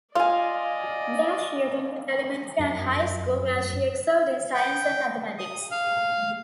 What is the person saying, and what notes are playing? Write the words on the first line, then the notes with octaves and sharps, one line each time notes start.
There she attended elementary and high school, where she excelled in science and mathematics.
F4 D5 D#5 F5 G#5
F#2
G5
D#6
F5